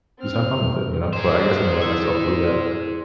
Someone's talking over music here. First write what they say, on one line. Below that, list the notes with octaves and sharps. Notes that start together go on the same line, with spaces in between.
"Just have fun with it," you know, but I guess I didn't let myself do that.
C4 F6
G#4 C5
E4